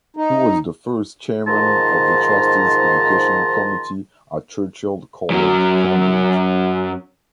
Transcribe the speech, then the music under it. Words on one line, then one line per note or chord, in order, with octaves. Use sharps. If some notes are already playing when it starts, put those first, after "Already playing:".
He was the first chairman of the Trustee's education committee at Churchill College, Cambridge.
D#4
G#2 D#3 F3 A5 A#5 C6
F#2 F#3